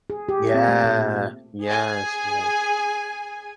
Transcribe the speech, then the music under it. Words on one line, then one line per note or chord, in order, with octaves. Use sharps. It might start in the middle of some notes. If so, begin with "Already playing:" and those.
Yeah. Yes, yes.
G#4
G4
C4
A3
A#2
G#4 G#5